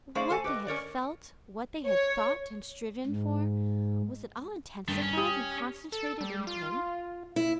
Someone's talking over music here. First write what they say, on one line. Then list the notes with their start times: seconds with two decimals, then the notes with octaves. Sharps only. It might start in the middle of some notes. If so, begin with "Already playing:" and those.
What they had felt--what they had thought and striven for--was it all intensified and concentrated in him?
0.15 A3 D#4 G#4 C5 D5 F5
0.31 A4 G#5
0.44 G4 B4 D#5
0.67 C#4 A#4 C#5 D5
1.86 C#5
3.06 G#2
4.88 G2 D#3 A3
5.02 C#4
5.17 G4 D#6
5.92 A4
6.21 G3
6.47 F4
7.36 E4